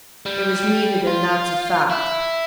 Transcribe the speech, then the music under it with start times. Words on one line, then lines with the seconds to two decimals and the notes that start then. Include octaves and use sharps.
It was needed and that's a fact.
0.26 G3
1.07 F4
1.90 E4